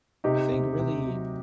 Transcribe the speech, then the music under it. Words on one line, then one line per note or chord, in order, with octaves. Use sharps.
I think really,
C3 D#4 G4
C3
C3
F#3